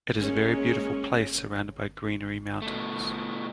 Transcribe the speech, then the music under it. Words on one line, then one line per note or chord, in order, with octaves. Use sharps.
It is a very beautiful place surrounded by greenery mountains.
G#3 A#3 C#4
B2 A3